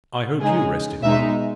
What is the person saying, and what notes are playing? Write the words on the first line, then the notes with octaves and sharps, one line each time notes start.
I hope you rested well.
C#3 G#3 D#4 G#4
B2 G#3 D#4 E5